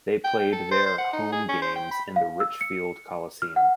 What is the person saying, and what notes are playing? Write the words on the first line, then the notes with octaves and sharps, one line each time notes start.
They played their home games in the Richfield Coliseum.
G5
G5
A4
C5
C5
F#5
D#4
G#4
C#4
C5
G5
B5
F5
E6
C#7
F6
F#5